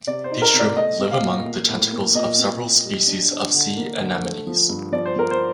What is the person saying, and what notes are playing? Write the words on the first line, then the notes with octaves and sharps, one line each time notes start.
These shrimp live among the tentacles of several species of sea anemones.
C3 D5
C5
D#4
A#4
C3
D5
A3 D#5
C4
F5
A#2
A#3
A2
A#3
A#2 D#5
C4
A#2
G3
D4
D4
D3
A#3
D3
A3
F3
G2
F3 D5
C5
F3 A#4
C5